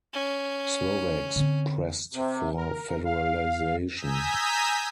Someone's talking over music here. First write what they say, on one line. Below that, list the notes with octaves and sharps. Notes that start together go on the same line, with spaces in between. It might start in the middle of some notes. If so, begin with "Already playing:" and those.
Slovaks pressed for federalization.
C#4
D3 C4
C3
A#4
F5
G#5 A#5 D#6 E6 G6 B6